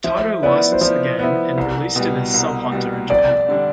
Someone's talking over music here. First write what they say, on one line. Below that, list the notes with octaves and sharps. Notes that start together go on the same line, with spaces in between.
Taito licensed the game and released it as Sub Hunter in Japan.
F3 E5
B3 E4 D5
C5
F3 D5
B3 E4
C2
B2 G3
C2
B2 G3
F2 D5
D3 G3 D4